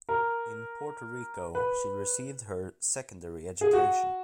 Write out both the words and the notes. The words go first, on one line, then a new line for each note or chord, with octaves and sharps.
In Puerto Rico, she received her secondary education.
A#4
B4
G#4
F#4